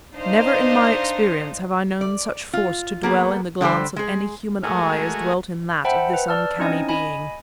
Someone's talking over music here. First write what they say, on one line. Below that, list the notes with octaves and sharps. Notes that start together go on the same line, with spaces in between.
Never in my experience have I known such force to dwell in the glance of any human eye as dwelt in that of this uncanny being.
D4 D#4 C5 D#5 F5
D5
F4
A#3 B3 G#4
D3 G3 G4 C5
G#3 G#4
G#3 A3 F#4 A#4 G#5
C5 E5 F#5 G5 A5 B5
B4
D5 A5 E6 F6
C4 C#4 D#4 E4 D#5 G#5
D#5 G#5 B5